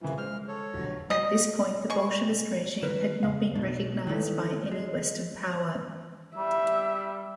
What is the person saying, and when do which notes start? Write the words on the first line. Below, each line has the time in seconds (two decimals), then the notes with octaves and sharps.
At this point, the Bolshevist regime had not been recognized by any Western power.
0.01 F#2 C#3 E3 F3
0.18 G#3 C5 F6
0.48 A4 C#5
0.74 F1 B1 D3
1.10 D#5
1.90 G#3 C#6
2.82 D#3 A#4 B4
3.23 F2 C#3 F5
3.55 B1 B2 D4
4.07 D#3 E3 G3 A3
4.72 G#3
6.37 G3 E5